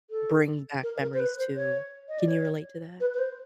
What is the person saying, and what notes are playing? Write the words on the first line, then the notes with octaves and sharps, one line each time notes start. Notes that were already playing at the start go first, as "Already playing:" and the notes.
bring back memories too. Can you relate to that?
A4
A#4
A#4
C5
B4
C5
C#5
D#5
D5
C#5
B4
B4
C5